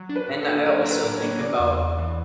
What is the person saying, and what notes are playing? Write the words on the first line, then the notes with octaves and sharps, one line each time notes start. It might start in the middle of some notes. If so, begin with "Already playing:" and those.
and I also think about
Already playing: F#3
D4
B4
A2
A4
A#3
F#3 A#4
D4 A#4
B4
A2
C#5
A#3
C#3 D5
E2
E2
E3